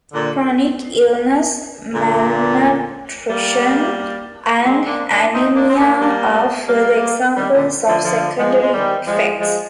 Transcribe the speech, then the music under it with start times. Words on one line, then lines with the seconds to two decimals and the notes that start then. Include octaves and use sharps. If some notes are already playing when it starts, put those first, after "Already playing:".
Chronic illness, malnutrition, and anemia are further examples of secondary effects.
0.12 A#2 D3
1.93 A#2 D3
3.28 G3 A#3
4.65 G#3 C4
4.86 A#3 D4
5.10 A#3 D4
5.32 C4 D#4
5.55 A#3 D4
5.69 C4
5.77 A#3 D4
6.00 G3 A#3
6.68 G3 A#3
7.36 D#3 G3
7.53 A#2 D3
7.87 D3 F3
8.04 D3 F3
8.37 F3 G#3
8.61 G#3
8.72 D#3 G3
9.05 F3 G#3
9.39 F3 G#3